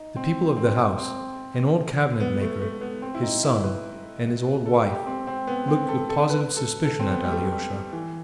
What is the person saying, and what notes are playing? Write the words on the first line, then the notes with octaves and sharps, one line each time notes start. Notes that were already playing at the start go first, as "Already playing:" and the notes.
The people of the house, an old cabinet-maker, his son, and his old wife, looked with positive suspicion at Alyosha.
Already playing: D#4
C4
C4
C4
B3
A3
A3
B3
C4
E4
D#4
E4
B4
A4
G4
C4
C4
B3
C4
A4
A4
B4
A4
A4
C4
B3
G3
A3
G3
G3
E3